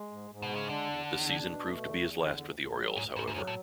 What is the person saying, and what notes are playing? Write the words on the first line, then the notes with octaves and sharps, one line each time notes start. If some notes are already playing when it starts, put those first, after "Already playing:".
The season proved to be his last with the Orioles, however.
Already playing: G#3
G#2
G#2
B2
G#3
C#3
D3 D4
E2
E2
D4
B2
A3
E2
E2
D3
D2
D2
F#3
D2 G#2
D2 G#2
G#2
F#2 F#3
A2